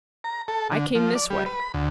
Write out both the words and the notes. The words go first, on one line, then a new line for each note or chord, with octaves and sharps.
I came this way.
A#5
A4
D3
F3
D5
G3
B4
B5
D2